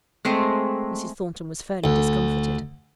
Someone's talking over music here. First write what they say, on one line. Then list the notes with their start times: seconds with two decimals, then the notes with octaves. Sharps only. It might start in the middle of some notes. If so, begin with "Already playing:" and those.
Mrs. Thornton was fairly discomfited.
0.25 G#3 A3 C4 G#4
1.84 D2